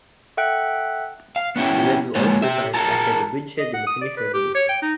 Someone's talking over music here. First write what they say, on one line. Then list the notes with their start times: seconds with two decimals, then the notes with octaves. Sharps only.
The Reds were also assigned to act as a bridgehead in the Finnish revolution.
0.37 A4 E5 F#5 G5 F#6
1.36 F5
1.56 B3 C#4 E4 G4
2.15 G#3 A#3 F4 B4 C#5
2.42 G4 E5
2.74 F4 G#4 A#4 A5 A#5
3.59 D#5
3.74 F#5
3.87 D#6
4.02 D5
4.17 B4
4.33 G4
4.55 C#5
4.69 G5
4.82 D#4